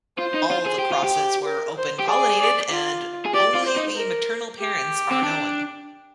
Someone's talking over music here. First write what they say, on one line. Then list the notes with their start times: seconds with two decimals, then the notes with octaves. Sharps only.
All the crosses were open pollinated and only the maternal parents are known.
0.18 F4 C5
0.34 D#4
0.51 F4
0.66 G#4
0.79 G4
0.92 F4
1.04 G4
1.45 A#4
1.76 C5
1.99 G4
2.08 G#4 D5
2.39 D5
2.71 F4
3.25 G#4
3.34 G4 D5
3.54 F4
3.66 C5
3.76 D#4
3.97 A#4
4.60 G4
5.12 C4
5.23 D4